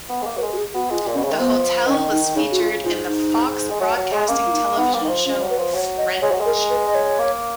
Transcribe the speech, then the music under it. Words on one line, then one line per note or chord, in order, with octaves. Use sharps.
The hotel was featured in the Fox Broadcasting television show "Fringe".
B3
G#3
A#3
F#3 B4
G#3 A#4
F#4
G#4
B3 F#4
G#3 F4
A#2
B2 C#4
C#3
D#3
F3 B3
D#3 C#4
D#4
C#3 D#4
F#4
F4
G#2 F4
D#4
G#3
F#3
F#3
G#3
A#3 C#4
F4
D#4
B3 D#4
A#3
D#4
D#3
F3
F3 C#4
F#3
B4
F3
F#3 C#5
D#5
G#3 C#5
F#3
G#3
A#4
B4
D#5
C#5
A#3